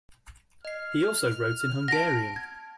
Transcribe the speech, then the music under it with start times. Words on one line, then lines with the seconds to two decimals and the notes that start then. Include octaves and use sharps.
He also wrote in Hungarian.
0.65 D#5 F6 C7
1.88 F#5 A5 A#6 D7
2.36 G#6